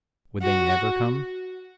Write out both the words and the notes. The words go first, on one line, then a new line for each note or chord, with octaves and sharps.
Would they never come?
F#4